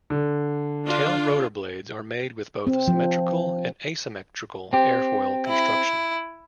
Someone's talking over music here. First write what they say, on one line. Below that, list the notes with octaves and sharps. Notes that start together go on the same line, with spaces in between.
Tail rotor blades are made with both symmetrical and asymmetrical airfoil construction.
D3
D4 F4
C4
F3
C4 G4
E4